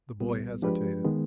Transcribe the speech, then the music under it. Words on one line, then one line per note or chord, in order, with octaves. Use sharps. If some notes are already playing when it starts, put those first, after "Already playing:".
The boy hesitated.
C2 B2 G3 B3
F3 G#3 D4 G4 B4
D#3 G#3 B3